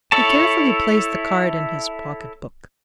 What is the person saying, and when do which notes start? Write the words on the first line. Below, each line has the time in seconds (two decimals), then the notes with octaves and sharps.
He carefully placed the card in his pocket-book.
0.12 E4 A4 C#5 A5